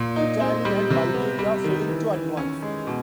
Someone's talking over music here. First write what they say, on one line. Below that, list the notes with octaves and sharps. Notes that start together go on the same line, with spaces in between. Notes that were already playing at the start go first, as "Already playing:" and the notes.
Italy and Bulgaria failed to advance.
Already playing: A#2
D#4
C4
G3
C3
B3
G3
D#3
E3
E3
C#4
G#3
B2